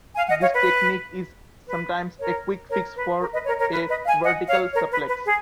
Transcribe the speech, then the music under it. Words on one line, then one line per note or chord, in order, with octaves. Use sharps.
This technique is sometimes a quick fix for a vertical suplex.
F5 G#5
D#5 F#5
C#5 F5
B4
B4
A#4 C#5
A#4 C#5
B4
A#4
B4 D#5
A#4 C#5
A#4 C#5
B4
B4 D#5
F5 G#5
D#5 F#5
C#5 F5
A#4 C#5
B4
B4
G#4